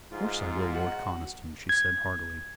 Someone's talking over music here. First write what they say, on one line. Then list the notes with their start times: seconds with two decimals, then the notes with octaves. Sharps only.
"Of course I will, Lord Conniston," she said heartily.
0.11 G#2 F4
0.71 F#4 F#5
1.69 G#6